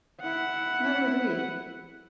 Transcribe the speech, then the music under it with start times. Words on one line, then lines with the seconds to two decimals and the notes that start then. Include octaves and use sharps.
Why would we?
0.21 E4 F#5